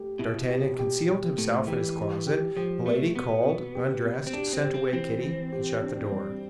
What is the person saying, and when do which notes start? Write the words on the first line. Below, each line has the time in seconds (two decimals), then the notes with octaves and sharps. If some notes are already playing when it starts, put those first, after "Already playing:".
D'Artagnan concealed himself in his closet; Milady called, undressed, sent away Kitty, and shut the door.
Already playing: A3 G4
0.19 B2 E4
0.49 G4
0.79 G4
1.09 G4
1.38 A2 A3
1.67 E3 G4
1.97 G4
2.27 G4
2.57 F3 G4
2.85 B2 A3
3.15 B2 B3
3.45 B2
3.75 G4
4.04 B2
4.27 C4
4.34 D4 G4
4.53 C4
4.64 G4
4.74 C4
4.93 E3 C4
5.23 E3
5.52 G4
5.82 D4
6.12 G3